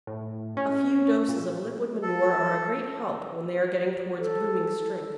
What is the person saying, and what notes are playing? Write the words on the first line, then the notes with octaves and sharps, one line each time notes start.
A few doses of liquid manure are a great help when they are getting towards blooming strength.
A2
C#4
A#2
A4
A4